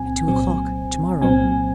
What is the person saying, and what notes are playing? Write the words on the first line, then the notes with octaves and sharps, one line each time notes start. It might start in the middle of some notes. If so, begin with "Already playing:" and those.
"At two o'clock to-morrow."
Already playing: C2 A#2 F#3 C4 G#5
C2 A#2 F#3 C4
C2 A#2 F#3 C4 G#5